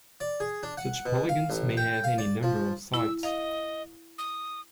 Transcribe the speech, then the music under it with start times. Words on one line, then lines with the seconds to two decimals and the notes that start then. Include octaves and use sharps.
Such polygons may have any number of sides.
0.20 D5
0.40 G#4
0.63 D4
0.77 F#5
1.06 B2
1.29 F5
1.50 A1
1.77 G5
2.04 F5
2.18 D5
2.43 F3
2.94 E4 E6
3.23 D#5 F5
4.18 D#6